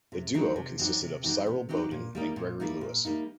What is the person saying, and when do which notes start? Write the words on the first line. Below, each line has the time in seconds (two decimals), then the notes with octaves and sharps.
The duo consisted of Cyril Bodin and Gregory Louis.
0.12 C3
0.34 F#3 C4 D#4 G4
0.56 C3
0.79 F#3 C4 D#4 G4
1.01 C3
1.24 F#3 C4 D#4 G4
1.47 C3
1.69 F#3 C4 D#4 G4
1.91 A#2
2.15 G3 A#3 D#4
2.36 A#2
2.60 G3 A#3 D#4
2.81 A#2
3.05 G3 A#3 D#4